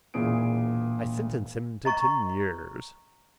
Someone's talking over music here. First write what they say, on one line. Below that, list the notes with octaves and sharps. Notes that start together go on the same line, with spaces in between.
I sentenced him to ten years.
E1 A#2 E4 G#4 D7
D#5 A#5 C#6